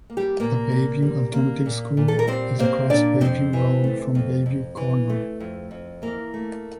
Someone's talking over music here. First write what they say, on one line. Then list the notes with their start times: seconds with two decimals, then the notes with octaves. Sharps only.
The Bayview Alternative School is across Bayview Road from Bayview Corner.
0.10 A#3
0.17 G3 G4
0.40 A#2 A#3 A#4
0.72 A#2
1.02 G3
1.33 A#3
1.66 A#2
1.97 A#2
2.08 A4
2.19 A#4
2.27 G3 C4 C5
2.59 A#3 C4 C5
2.90 A#2 D4 D5
3.21 F2 C4 C5
3.53 E3
3.84 A3
4.15 F2
4.46 F2
4.77 E3
5.09 A3
5.40 F2
5.71 F2
6.02 E3 A#3 A#4
6.34 A3